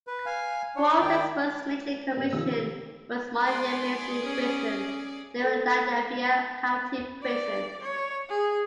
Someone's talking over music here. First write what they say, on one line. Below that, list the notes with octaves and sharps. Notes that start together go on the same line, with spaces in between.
Walter's first major commission was Moyamensing Prison, the Philadelphia County Prison.
B4
F5 G#5
D4 C#5
D#3 D5 G5
G2 C#3 A#3 B3
C3 D#3 F3 E6
G#4 D5 C6
C#4
A4
D5
C#5
G#4